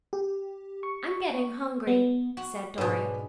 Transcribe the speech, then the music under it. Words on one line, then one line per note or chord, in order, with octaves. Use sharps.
"I'm getting hungry," said Dorry.
G4
C#6
B3
F#4
G#2 B2 D4 B4 C#5